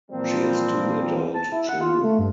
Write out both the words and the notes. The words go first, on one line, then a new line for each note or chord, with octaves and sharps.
She has two adult children.
A#2 E3 F3 G3 A#3 C4
A5
E4
F#5
F4
A3
G2